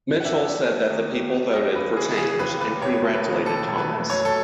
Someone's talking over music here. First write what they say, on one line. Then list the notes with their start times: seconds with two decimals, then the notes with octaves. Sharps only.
Mitchell said that the people voted for change and congratulated Thomas.
0.20 F#5
0.25 D#2 E5
0.47 C#4
0.68 A3
0.90 D#3
1.11 D#2
1.33 C#4
1.53 D#2 D#5
1.75 D#2 B4
1.97 E3 G#4
2.17 C#3 G#4
2.39 D#2 B4
2.61 D#2 B4
2.82 E1 C#5
3.03 A3
3.14 B4
3.25 D#3
3.46 D#2 A4
3.68 E1
3.78 B4
3.89 A3
4.10 F#2 C#5
4.25 A4